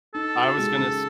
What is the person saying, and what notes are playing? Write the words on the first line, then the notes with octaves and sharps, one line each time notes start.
I was gonna s
D#4 A4
F#4
G#3
C#3